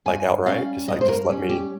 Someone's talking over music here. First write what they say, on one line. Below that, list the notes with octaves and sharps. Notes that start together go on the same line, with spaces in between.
Like, outright. Just, like, just let me
G2 G#5
G3 C#4 F5
G2 D#5
C5
A#4
G3 C#4
G4